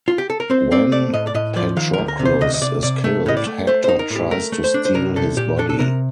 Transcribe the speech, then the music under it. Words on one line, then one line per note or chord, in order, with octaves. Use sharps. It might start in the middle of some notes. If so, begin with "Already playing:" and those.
When Patroclus is killed, Hector tries to steal his body.
F4
G4
A4
A#4
C4 C5
C4 D5
A3 D5
A2 D#5
D5
A2 D#5
F3 D5
D#3 F5
D2 A#4
A#4
C3
C5
D2 D#5
D#5
C3 D5
C3 D5
A3
A2 D#5
D5
A3
A3 C5
D#4 C5
A#4
A2
G4
A3 A#4
A3
C5
D4
C5
C2 A#4
C2 A4
A#2 G4
D4 A4
A4
C3 A#4